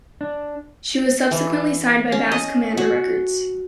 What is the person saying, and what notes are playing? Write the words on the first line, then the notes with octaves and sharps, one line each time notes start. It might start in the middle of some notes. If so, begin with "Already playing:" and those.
She was subsequently signed by Bass Commander Records.
D4
E3
C#4
D#5
F#4